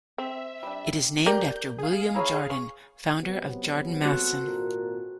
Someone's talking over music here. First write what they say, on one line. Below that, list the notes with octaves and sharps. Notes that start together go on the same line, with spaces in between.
It is named after William Jardine, founder of Jardine Matheson.
C4 E5
G3 D4
G4 A#4 D5 G6
G#4 F5
A#3 E4 C#5
C#6
C3 F#3 B3
C4 F#4 A4
G#1 A#2 A#4